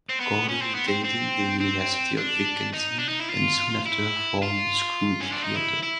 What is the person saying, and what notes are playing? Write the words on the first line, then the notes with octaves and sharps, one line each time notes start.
Gordon attended the University of Wisconsin and soon after formed Screw Theater.
C4
B3
C#4
C4
B3
C4
C4
C4
D4
D#4
D4
D#4
E4
F4
E4
F4
C#4
D4
D#4
E4
E4